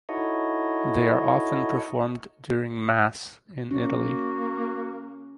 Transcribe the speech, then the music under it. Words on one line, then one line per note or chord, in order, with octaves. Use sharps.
They are often performed during Mass in Italy.
D#4 E4 F#4 A4 C#5 D#5
A#3 C#4 F#4